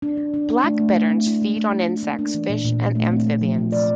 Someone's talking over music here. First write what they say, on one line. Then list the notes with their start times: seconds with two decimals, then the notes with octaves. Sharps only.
Black bitterns feed on insects, fish, and amphibians.
0.02 D4
0.17 D4
0.34 D4
0.49 D4
0.64 A3
0.80 A3
0.95 A3
1.10 C4
1.26 E4
1.42 A3
1.56 A3
1.72 E4
1.88 D4
2.03 A#3
2.19 D4
2.34 E3
2.49 A#2
2.65 A#2
2.81 C4
2.96 A3
3.11 C4
3.27 A3
3.41 F3
3.58 C3
3.72 D5